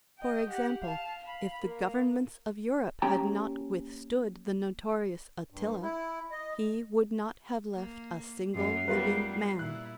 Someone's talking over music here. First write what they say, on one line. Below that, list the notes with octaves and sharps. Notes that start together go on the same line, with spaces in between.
For example, if the governments of Europe had not withstood the notorious Attila, he would not have left a single living man.
D#5 G5
G4 F#5
F5 A5
F5 B5
A#3
A#3 C#4 G4 G5 A#5
G2
E4
D#5
A#3
F#2 A#3 C7
G3 B3 F4 A#4 B4
A#2 E4 F#6